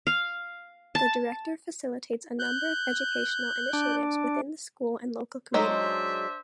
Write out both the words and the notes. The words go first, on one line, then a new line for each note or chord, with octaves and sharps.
The director facilitates a number of educational initiatives within the school and local community.
F5
A5
F#6 G6
D4
F#3 G#3 D4 D#4 C5 E5